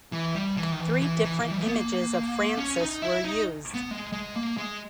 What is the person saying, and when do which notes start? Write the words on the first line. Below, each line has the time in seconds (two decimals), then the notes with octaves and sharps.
Three different images of Francis were used.
0.12 E3
0.35 G3
0.57 E3
0.72 D#3
0.80 E3
1.02 E3
1.24 E3
1.40 E3
1.51 G3
1.58 E3
1.66 B3
1.74 A#3
2.57 C#4
2.80 D#4
3.02 E4
3.24 D#4
3.74 B3
3.91 G#3
4.12 G#3
4.36 A#3
4.57 G#3